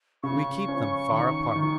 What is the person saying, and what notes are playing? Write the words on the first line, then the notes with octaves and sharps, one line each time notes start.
We keep them far apart.
C#3 C#6
C#4
D#3
D#3